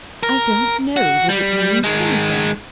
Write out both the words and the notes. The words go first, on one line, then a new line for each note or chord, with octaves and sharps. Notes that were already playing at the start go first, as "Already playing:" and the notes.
'I don't know that it means anything.
A#4
F#4
G3
D#3 G#3